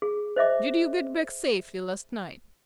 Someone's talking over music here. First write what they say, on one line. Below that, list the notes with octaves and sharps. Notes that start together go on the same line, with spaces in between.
Did you get back safely last night?
G#4
C5 D#5 E5 D6